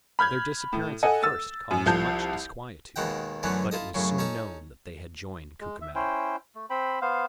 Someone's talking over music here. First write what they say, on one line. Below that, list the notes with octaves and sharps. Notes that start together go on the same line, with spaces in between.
Their disappearance at first caused much disquietude; but it was soon known that they had joined Cucumetto.
B5 F6 G6 G#6
A2
A4 D#5 F#5 G#5
E6 A6
F#2
C2 F3 A5 G6
D#2 B2 D#3 G#3 F#5 G5
F#2 D3 E3 A3 B3 C#4
E4 F4 A4 D#5
F#2 A2 C#3
C#4 D#4 A4 C#6
G#3
E5
C#4 E4 C5 G5
A3
C4 C5 G5 B5
B3 C5 F5